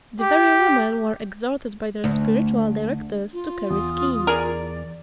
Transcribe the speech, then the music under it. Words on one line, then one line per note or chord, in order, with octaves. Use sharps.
The very women were exhorted by their spiritual directors to carry skeans.
G4
D2
F4
E2 D#6
G#4 A#4 D5